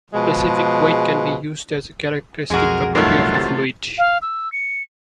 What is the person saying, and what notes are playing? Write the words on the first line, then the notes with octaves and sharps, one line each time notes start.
Specific weight can be used as a characteristic property of a fluid.
B2 F3 G#3
B1 F2 G#3 F#4 G#4 A#4
C2 G2 F#3 A3 D#4 F4 A#4
A1 C3 A6
F5
E6
C#7